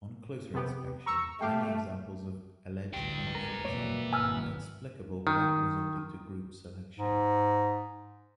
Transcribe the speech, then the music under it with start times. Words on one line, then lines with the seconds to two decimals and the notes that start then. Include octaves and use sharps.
On closer inspection many examples of alleged altruism are explicable without resorting to group selection.
0.54 C3 B3 G4
1.06 A#5 C#6 E6
1.41 A3 G4 F5 G5
2.93 A1 D2 G3 B4 G5
3.35 A#4 G#5
3.65 F2 B2 E3 A#3 C#5 D5 E5
4.13 G#1 G#5 E6 F6
5.27 D#3
6.97 G#2